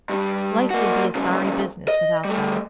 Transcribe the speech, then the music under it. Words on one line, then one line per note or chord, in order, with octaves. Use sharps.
Life would be a sorry business without them.
G2 G3
A#3 F#4
G2 C#3
D#5
G3 A3